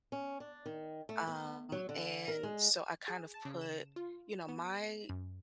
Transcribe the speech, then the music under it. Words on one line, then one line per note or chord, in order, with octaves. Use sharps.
um, and, so I kind of put, you know, my
C#4
D4
D#3
A3
B3
F#3
D3
A#4
G#3
G#4
A5
C#3
E7
F4
B3
F#2